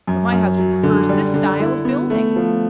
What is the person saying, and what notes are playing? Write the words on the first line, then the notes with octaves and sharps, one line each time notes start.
"But my husband prefers this style of building."
F#2
F#2
F#3
D3
G3
D3
E4
B3
A3
F3